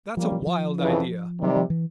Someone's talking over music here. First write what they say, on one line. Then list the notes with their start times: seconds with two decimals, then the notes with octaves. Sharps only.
That's a wild idea.
0.16 F3 G3 A#3 C#4
0.32 F3
0.42 E3
0.47 F3
0.78 F2 C#3 E3
1.39 C3 D#3 F#3 G3
1.57 F3
1.70 E3